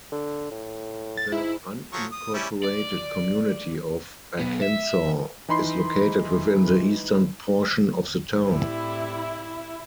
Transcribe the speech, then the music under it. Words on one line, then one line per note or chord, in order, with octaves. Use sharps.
The unincorporated community of Arkansaw is located within the eastern portion of the town.
D3
A2
A6
G#2 E4
F3 F#3 C#6
D#6
G3 C#4 E4
D5
B1 B3
E5
E3 D#4 B5 C6 C7
A2 C3 G3 E4